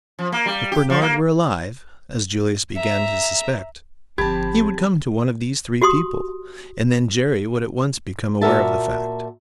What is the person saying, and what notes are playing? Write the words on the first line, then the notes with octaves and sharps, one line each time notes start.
If Bernard were alive--as Julius began to suspect--he would come to one of these three people, and then Jerry would at once become aware of the fact.
F3
A#3
G3
G4
F3
A#3
E5 A#5
G1 F3 C4 G4 A5 B5 G#6
F#4 G4 C6 D#6
A#2 F#4 A#4 E5 A5